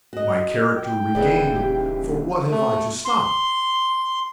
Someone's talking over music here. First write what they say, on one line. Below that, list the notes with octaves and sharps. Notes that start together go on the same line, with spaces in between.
"My character regained, for what have I to stop?"
F#4 D#5
G5
D#1 D#2 C#3 E3 B3 G#4 D5
G4
A3
C6